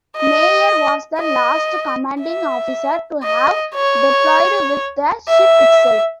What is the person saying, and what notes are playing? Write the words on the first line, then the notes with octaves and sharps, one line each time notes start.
Meyer was the last commanding officer to have deployed with the ship itself.
D#5
D#5
E5
D#5
C#5
E5